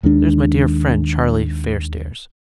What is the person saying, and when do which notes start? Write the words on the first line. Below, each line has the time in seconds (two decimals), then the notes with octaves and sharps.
There's my dear friend Charlie Fairstairs.
0.03 D#2 D#3 G#3 D4